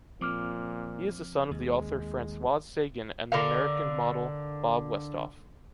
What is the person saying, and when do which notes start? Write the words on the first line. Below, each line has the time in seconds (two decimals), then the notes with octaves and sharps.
He is the son of the author Françoise Sagan and the American model Bob Westhoff.
0.21 A#2 F3 C4 D6 F6
1.51 D#2 G#3
3.32 D3 A#4 F5